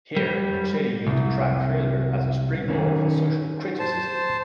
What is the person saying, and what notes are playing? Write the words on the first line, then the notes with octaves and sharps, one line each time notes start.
Here, Manchette used the crime thriller as a springboard for social criticism.
G3
C2
D#3 C#4
C5 A5